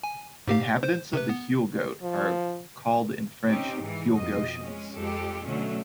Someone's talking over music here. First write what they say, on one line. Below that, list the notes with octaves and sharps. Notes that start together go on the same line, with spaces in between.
Inhabitants of Huelgoat are called in French "Huelgoatains".
G#5
G#2 G4 F5
C5
C3 B4
B3
F3
C4 C#4 D#4 G4
G#2 E3
F2 B2 D#5
G#3 C#4
F2 G#3 G4 A4
B2 D3 F#3 A3 C#4